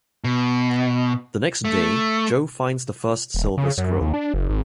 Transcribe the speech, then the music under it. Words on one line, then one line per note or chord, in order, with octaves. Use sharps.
The next day, Joe finds the first silver scroll.
B2
A3
D#1
C#3
F#2
D#2
D4
F#1
G#1